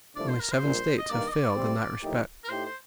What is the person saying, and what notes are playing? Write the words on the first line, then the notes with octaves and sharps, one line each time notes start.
Only seven states have failed in that respect.
C2 C3 F3 A3 D4 D5
C5
A#4
C5
A#1 A#2 G3
D#5
G2 D#3 A#3 D5
D#5
D5
C3 G3 C4
A2 F3 A#3 D#4 G4
A#4
A2 A3 D#4 G4 C5
C5